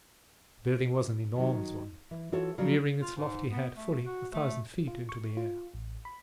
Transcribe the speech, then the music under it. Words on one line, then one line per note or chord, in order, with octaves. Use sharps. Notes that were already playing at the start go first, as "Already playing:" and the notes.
The building was an enormous one, rearing its lofty head fully a thousand feet into the air.
D#3 F#3
E3
E3 F4 F#4 A4 C#5
C#3 F3 F#3 D4 D5
F4
G#2
B3
A3
F#4
A3
F4
C#6
F4
A1
B5